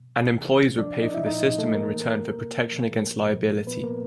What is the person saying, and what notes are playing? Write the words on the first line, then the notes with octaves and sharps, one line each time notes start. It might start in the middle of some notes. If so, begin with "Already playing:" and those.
And employers would pay for the system in return for protection against liability.
Already playing: B2
C3 E3
A2 F3 D4 D5
D#4 D#5
E4 E5
A#2 F3 D#4 D#5
A3 A4
A2 E3 A#3 A#4
B2
A#2 F3
A#2 F3
A#2 F3 B3 B4
A#3 A#4